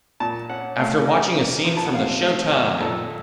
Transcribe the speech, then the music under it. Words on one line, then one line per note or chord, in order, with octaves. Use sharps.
After watching a scene from the Showtime!
A#2 A5
C#4 F#5
A3 F5
C#3 D#5
A#3
F3
A5
F#5
C3 F5
A3 F5
D#3 F#5
A#2 A4